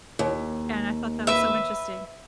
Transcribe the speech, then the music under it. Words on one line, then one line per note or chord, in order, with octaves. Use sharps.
and I thought that was so interesting.
D#2
B4 E5